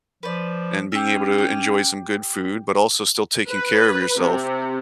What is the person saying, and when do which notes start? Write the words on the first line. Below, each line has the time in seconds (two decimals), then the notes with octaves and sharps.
and being able to enjoy some good food, but also still taking care of yourself,
0.23 F3 B4 C5 D5
0.92 C#4 G4 E6
1.38 G4 D6 D#6
3.51 B4
4.20 C3